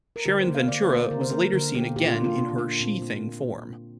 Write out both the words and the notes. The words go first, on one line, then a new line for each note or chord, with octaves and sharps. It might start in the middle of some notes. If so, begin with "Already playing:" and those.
Sharon Ventura was later seen again in her She-Thing form.
A#4
D3 G4
C5
A#3
F5
D3 D5
C5
A#3
D5
D3 A#4
C5
A#3 A#4
D3 A#4
A#3 G4
A#2 G4
F4
A#3 D4
F4
A#2 D4
F4
A#3 D4
A#2 C4
A#3